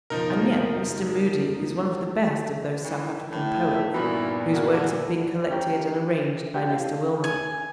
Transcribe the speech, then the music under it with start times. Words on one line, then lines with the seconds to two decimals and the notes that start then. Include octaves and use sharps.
And yet Mr. Moodie is one of the best of those South African poets whose works have been collected and arranged by Mr. Wilmot.
0.10 F#1 B1 F3 D#4 A#4
2.84 E3
3.31 A2
3.74 D#4 E5
3.94 G2 A#2 D#3 E3 B3 F#4 B5
4.53 F2 E4 F#4 A#4 F#5
4.73 D3
5.49 C#4 G4 A#5
6.54 G4 A4 A5
6.67 E4 C5 D#5 F5
7.24 G#5